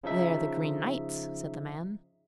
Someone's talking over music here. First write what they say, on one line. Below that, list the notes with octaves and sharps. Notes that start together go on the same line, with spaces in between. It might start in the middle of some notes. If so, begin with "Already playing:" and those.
'They are the Green Knight's,' said the man.
C#3 F3 D#4 E5